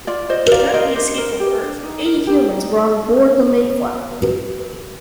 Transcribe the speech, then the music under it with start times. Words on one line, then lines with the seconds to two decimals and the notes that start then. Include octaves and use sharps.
During the escape from earth, eighty humans were on board the Mayflower.
0.07 F4 D5
0.30 F4 C5 D#5
0.51 A#4 D5 F5
0.69 F5
0.74 A#4 C5 D#5
0.95 D4 C5 D#5
1.17 A#4
1.40 G4
1.62 D4
1.83 D#4
2.05 A#4
2.27 G4
2.49 D#4